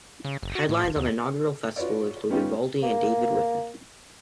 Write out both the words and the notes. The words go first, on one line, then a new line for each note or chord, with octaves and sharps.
Headliners on the inaugural festival included Valdy and David Wiffen.
C#3
F#1
F#4
A2
E1
D#2
F4 F#4 B4 C#5 D5
G3 B3 C#4 D#4 F4 G4
A#3